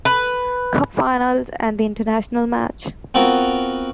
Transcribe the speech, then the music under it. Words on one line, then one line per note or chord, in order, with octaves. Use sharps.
Cup Finals and international match.
B4
B3 C4 F4 F#4 A#4